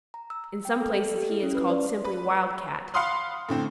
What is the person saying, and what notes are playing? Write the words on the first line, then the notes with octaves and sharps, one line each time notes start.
In some places he is called simply Wild Cat.
A#5
E6
E6
G5
A4
A4
G4
E4
C#4
B4
D5
B4
F5 F#5 B5 C6 D#6 F6
A2 D3 C4